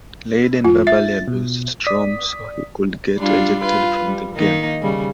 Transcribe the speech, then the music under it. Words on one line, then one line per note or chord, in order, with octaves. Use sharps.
Layden verbally abused Strom so he could get ejected from the game.
F2 F4
E5 A6
B2
D5 D#6 B6
G3 D4 F4
F4 B4
G3
D#3 A#3 D#4
C#3 G3